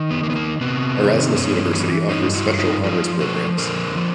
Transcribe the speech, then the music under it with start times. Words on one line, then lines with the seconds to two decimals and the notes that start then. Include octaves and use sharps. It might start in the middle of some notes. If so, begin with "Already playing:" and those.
Erasmus University offers special honours programmes.
Already playing: D#3
0.11 B3
0.23 A#3
0.30 B3
0.36 A#3
0.61 C3 B3
0.98 D#3
1.35 G2 B3 C#4
1.72 E3
2.09 G2 C#4 D#4
2.34 E4 F#4
2.47 G2
2.59 D#4 F4
2.84 F3 D#4 F4
3.21 F3 A4 B4
3.58 D3 A#4 C5
3.96 F3